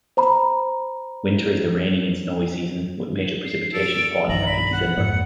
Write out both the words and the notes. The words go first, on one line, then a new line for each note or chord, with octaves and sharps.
Winter is the rainy and snowy season, with major precipitation falling after December.
C5 A#5 B5
C7
A4 D7
B1 G2 D#3 A#5 F#7
B5
F#5
F2 G#2 A#3 C#7